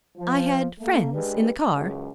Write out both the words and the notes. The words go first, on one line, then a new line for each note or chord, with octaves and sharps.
"I had friends in the car."
F3
A3 A#3
G#3 D4 G4 B4
C#2 F#2 C#3